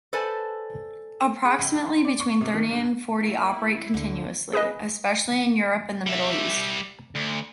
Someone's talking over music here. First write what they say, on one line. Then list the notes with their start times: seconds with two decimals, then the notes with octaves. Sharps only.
Approximately between thirty and forty operate continuously, especially in Europe and the Middle East.
0.13 A4 B4 C5 D5 G#5 A5
1.45 G#4
1.59 C#2
1.87 C6
2.05 D5
2.20 C#6
2.41 C3
2.54 D#3
2.70 G2
3.18 A#3 E4
3.94 D2 D3
4.53 G#4 B4 D#5
6.06 G3 E5
7.15 D2